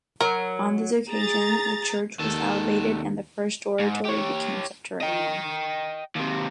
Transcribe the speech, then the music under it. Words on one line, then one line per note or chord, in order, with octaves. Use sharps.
On this occasion, the church was elevated and the first oratory became subterranean.
F#3 A#4
G#4 A#5 A6
D#2 D#3 A4
G#2
G4 C#5
D#5 G5
D#2 C3